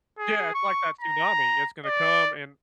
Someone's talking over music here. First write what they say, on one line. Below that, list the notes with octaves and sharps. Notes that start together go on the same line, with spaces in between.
Yeah, it's like that tsunami, it's gonna come, and
G#4
C#6
A#5
D5